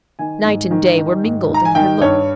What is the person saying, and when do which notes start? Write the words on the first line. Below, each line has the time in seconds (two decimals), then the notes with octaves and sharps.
Night and day were mingled in her look.
0.19 D#3 G#5
0.45 G#2
0.71 D#3
0.97 D#3
1.24 G#2
1.49 D#3
1.54 A#5
1.65 G#5
1.75 D#3 G5
2.01 G2 C#5